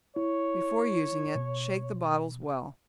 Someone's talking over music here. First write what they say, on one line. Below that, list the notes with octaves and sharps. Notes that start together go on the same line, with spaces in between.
Before using it, shake the bottles well.
E4 C#5
B2